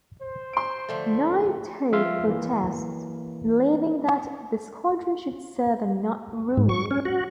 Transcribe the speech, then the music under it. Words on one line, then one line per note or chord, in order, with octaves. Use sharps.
Nighthawk protests, believing that the Squadron should serve and not rule.
C5
C6 D7
D3 F3 A3
F3 E5 F5 C6
E3 A#3
G#2
C#6
C#4
F#4